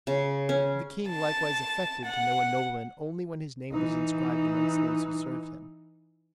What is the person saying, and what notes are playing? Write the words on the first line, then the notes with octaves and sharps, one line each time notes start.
The king likewise affected to know a nobleman only when his name was inscribed amongst those who served him.
C#3
C#4
A5
F#5
E3 D#4